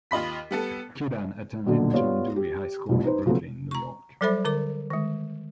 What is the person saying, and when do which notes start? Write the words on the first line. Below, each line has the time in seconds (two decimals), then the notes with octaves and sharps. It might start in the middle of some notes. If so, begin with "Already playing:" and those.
Kidan attended John Dewey High School in Brooklyn, New York.
0.11 D#2 F4 D#5 B5 B6
0.51 G3 B3 A4
1.66 D#1 B1 F#2 A#2 D3
1.93 B3 F4 G4 C#5 D5
2.36 G4
2.89 C2 F2 A2
3.04 D#4 B4 C5
3.26 C#3 F3 F#3 A3 B3
3.71 A#5 C#6
4.21 F#3 G3 A4 C5 E5 B5
4.45 D3 A#4 D6
4.90 D#3 G#3